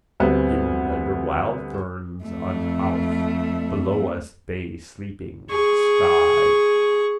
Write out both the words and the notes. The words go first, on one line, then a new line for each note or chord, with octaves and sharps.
Hidden under wild ferns on Howth below us bay sleeping: sky.
D2 G3 B3 C4
F2 A3
G#4 C#6